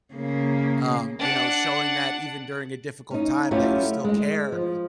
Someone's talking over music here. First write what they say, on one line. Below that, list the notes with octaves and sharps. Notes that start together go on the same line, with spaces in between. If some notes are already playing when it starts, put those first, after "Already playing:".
um you know, showing that even during a difficult time that you still care,
C#3 A#3
D4 F#5
C#4 D#4
F#3 A3 C#4 E4 F4 G4
G#3 D#5
F3